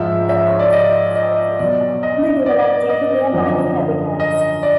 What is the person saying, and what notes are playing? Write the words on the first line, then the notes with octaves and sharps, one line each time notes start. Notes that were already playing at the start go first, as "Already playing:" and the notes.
The eyes of the sawfish are underdeveloped due to their muddy habitats.
Already playing: G#2 F3 G#3 E5
E5
C#5
D5
D#5
D#5
B2 F#3 D5
D#5
D5
D#5
F#2 D3 F3
D#5
D5